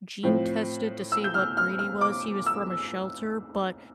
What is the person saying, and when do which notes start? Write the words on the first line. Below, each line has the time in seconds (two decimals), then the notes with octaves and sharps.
gene tested to see what breed he was, he was from a shelter, but
0.23 A2 F3 C4
1.12 E6
1.24 G6
1.34 F6
1.57 F6
1.79 F6
2.01 D6
2.46 E6